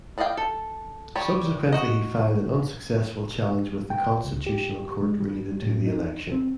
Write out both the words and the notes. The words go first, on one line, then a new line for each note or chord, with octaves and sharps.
Subsequently he filed an unsuccessful challenge with the Constitutional Court related to the election.
D4 D5 D#5 F5 G5
A4
G3 G4 C#5 D5
F#4 D#5
G5
C#2
G4
G#3
G3
A2
D#4
C4